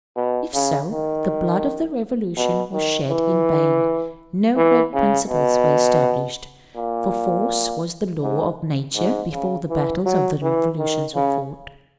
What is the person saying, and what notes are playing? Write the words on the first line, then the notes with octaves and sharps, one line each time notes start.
If so, the blood of the Revolution was shed in vain; no great principles were established; for force was the law of nature before the battles of the Revolution were fought.
B2
C#3
D#3
B2
D#3
E3
E3
C#3
B2
A#2
G#2
G#2
C#3
E3
F#3
E3
D#3
C#3